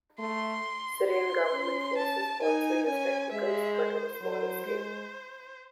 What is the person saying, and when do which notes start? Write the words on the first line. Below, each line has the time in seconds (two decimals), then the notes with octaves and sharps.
Syrian government forces also use technicals, but on a smaller scale.
0.19 A3 C6
1.09 C6
1.54 C#4
1.97 A5
2.42 D#4 G#5
2.86 C#4 G#5
3.32 G#3 E5
3.76 C5
4.21 F#3
4.66 G#3